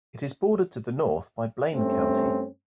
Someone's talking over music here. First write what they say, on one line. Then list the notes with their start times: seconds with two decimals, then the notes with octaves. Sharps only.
It is bordered to the north by Blaine County.
1.74 G2 A3 C4 C#4